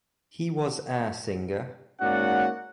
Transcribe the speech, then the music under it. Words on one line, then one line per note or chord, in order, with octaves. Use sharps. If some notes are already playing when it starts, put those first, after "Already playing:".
He was our singer.
G#2 A#3 C#4 F#4 D5 F#5